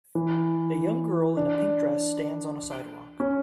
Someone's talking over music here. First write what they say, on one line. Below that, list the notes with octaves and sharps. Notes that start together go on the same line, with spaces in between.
A young girl in a pink dress stands on a sidewalk.
E3
D4
C#4